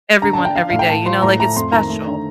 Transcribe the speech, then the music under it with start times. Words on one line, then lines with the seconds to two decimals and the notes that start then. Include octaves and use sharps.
everyone every day. You know, like, it's special.
0.22 D3 A#5
0.33 A5
0.38 D4
0.45 G5
0.55 D4 F5
0.70 A2 F5
0.79 G5
0.89 A2 A5
1.06 F3 C6
1.22 A2 A#5
1.40 A3 A#5
1.56 F2 C6
1.72 D#3 A#5
1.90 A3
2.06 D3